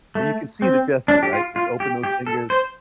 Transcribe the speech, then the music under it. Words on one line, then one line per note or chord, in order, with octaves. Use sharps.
But you can see the gesture, right? Just open those fingers.
A3
C4
D4
G4
F4
F4
G4
G4
A4
C5